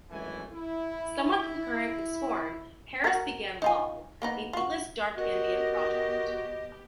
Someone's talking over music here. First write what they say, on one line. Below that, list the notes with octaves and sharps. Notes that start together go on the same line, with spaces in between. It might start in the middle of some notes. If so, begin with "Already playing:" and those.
Somewhat concurrent with Scorn, Harris began Lull, a beatless dark ambient project.
G#1 F#2 E3 A3 G#5
E4
F#4 A#4
D#4 F4 G#5
A#3 B3 D#4
F4 F#4
B3 F#4 G4 A#4 D#5